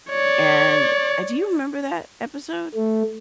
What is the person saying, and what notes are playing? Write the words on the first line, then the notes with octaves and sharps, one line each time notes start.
and uh, do you remember that episode?
C#5 D5
A3